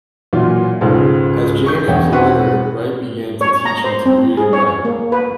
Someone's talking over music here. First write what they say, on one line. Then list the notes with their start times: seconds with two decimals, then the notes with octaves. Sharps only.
As James was illiterate, Wright began to teach him to read and write.
0.33 A#2 E3 F#3 F4
0.81 C#2 G#2 G#3 F4 A4
1.66 C#6 G6
1.88 E2 E3 C#5 G5
2.12 B1 C4 B4 F#5 C6 C#6
3.41 C#5
3.65 A#5
3.84 C5
4.06 C4
4.37 G#4
4.53 C#5
4.85 A#3
5.12 B4